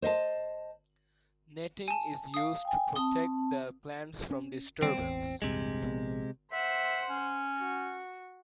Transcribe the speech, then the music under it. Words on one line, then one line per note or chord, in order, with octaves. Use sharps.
Netting is used to protect the plants from disturbance.
C5 D#5 E5 A5
G#5 A5
F5 D#6
G5 G#5
C4 A5 D#6 G7
C#4
D#3 G3 C4
E1 A1 E2
A#1 E2 G2 C3 G#3
A#1 B3
C5 E5 F#5 C6
C#4
F#4